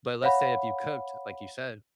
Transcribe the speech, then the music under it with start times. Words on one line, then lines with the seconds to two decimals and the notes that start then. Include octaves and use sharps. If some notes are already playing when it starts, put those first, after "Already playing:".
but let's say if you cooked like you said,
0.23 C#5 F5 F#5 B5